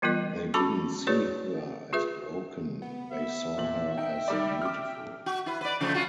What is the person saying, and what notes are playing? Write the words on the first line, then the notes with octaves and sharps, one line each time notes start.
They didn't see her as broken, they saw her as beautiful.
E3 G3 B3 F4 A#4 D#5
C#4 F#4 A4 A5 B5 D6
F#4 G#4 B4 C#5 D5
F4 G#4 B4 E5
B3
E5
A#2 F#7
D#4 G5
D#3 G3 D5
D6 F6
F#4
E4 B4
B4 D5
C#3 F3 A3
F#2 F4 F#4